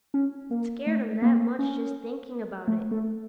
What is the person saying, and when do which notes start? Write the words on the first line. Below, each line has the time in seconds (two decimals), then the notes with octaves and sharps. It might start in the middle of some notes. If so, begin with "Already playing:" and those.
It scared him that much, just thinking about it.
0.14 C#4
0.51 A#3
0.87 A3
1.22 A#3
1.59 C#4
2.68 A3
2.91 A3